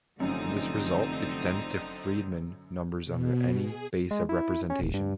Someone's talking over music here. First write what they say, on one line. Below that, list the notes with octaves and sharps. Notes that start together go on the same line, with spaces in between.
This result extends to Friedman numbers under any base of representation.
F1 F#2 D3 C4 D#4
B2
G#4
G#3
E4
C#4
D1
G2